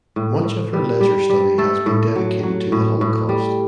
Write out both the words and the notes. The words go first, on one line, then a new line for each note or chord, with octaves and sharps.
Much of her leisure study has been dedicated to the Holocaust.
A2
A2
G3
G3
G3
A3 A4
A2
F#3
F#3
A2
A2
G3